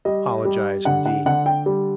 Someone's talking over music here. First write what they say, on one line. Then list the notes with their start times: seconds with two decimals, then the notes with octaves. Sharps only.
Apologise indeed!
0.05 G3 D#5
0.45 G3
0.85 D3 F#5
1.06 F#5
1.26 D3 F#5
1.46 G5
1.66 G3